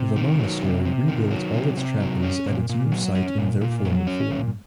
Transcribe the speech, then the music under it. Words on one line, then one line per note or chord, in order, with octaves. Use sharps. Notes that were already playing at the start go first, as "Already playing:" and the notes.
The monastery rebuilt all its chapels at its new site in their former form.
Already playing: C3
D#3
F#3
C3
C3
D#3
F#3
C3
C3
F#3
C#4
A#2
A#2
F#3
C#4
A#2
A#2
F#3
C#4
A#2